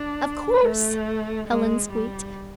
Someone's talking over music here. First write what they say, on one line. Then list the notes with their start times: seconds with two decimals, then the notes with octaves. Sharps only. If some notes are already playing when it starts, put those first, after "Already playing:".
"Of course," Helen squeaked.
Already playing: D4
0.60 A3
1.48 G#3
1.91 G3